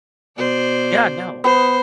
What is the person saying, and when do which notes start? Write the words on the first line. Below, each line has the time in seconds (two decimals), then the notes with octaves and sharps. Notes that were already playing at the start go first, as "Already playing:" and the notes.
Yeah, no.
0.37 B2 C5 D5
1.44 B3 C5